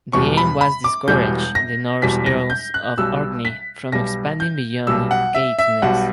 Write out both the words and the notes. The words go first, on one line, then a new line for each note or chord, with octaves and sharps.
The aim was to discourage the Norse Earls of Orkney from expanding beyond Caithness.
E1 E2 B2 G3 C#6
B5
B5
D6
E1 E2 B2 G3 G6
A#6
E1 E2 B2 G3 B6
A#6
G6
F#6
B1 B2 G3 E6
B6
B1 B2 G3 A#6
G6
B1 B2 G3 E6
F#5
E5
E5
B1 B2 G3 F#5